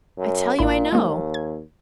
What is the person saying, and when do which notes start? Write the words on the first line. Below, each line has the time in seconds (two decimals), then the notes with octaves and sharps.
"I tell you I know."
0.18 F#2
0.59 A1 A#2 E4
0.92 D#2 G#3 A#3
1.34 G#6